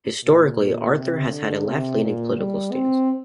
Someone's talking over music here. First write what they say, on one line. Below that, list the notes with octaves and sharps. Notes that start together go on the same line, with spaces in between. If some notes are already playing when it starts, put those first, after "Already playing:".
Historically, "Arthur" has had a left-leaning political stance.
A#2
C3
D3
C3
A#2
G3
C4